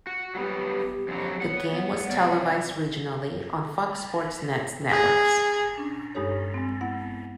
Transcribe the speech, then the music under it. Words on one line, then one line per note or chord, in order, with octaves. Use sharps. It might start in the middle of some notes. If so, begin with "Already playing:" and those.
The game was televised regionally on Fox Sports Net networks.
F#4
F#3 G3 B3 G4
F2 D3 F#3
B3 C#5 F#5
C3 D5
G#4
C#4 D4
G2 G#3 D#4 G4 A4 C#5
G#3 C4
B3 E4 F#5